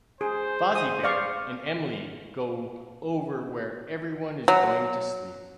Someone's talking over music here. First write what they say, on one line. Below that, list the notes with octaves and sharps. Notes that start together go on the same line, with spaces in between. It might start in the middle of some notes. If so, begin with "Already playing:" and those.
Fozzie Bear and Emily go over where everyone is going to sleep.
G#4 C5
G#4 D#6
D5 F5 C#6
F#3